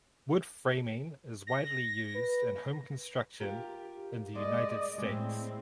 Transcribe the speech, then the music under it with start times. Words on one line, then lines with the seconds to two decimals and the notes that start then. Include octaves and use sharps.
Wood framing is widely used in home construction in the United States.
1.47 A#6
2.15 B4
3.40 F4 G4 A#4
4.35 G#3 A#3 D5 D#5
4.98 A2 G#3 C4